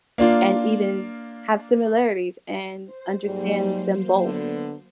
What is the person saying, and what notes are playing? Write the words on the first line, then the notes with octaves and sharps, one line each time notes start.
and even have similarities and understand them both,
A#3 D4 F4
C5
G#2 F#3 G3 A#3 C5
D3 B3